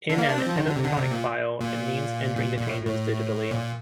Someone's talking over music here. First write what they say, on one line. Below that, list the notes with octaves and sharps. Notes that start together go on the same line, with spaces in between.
In an electronic file, it means entering the changes digitally.
D3
A#3
D4
C4
F3
D#3
D3
C3
D3
C3
A#2
A#2
A#2
A#2
A2
A2
A#2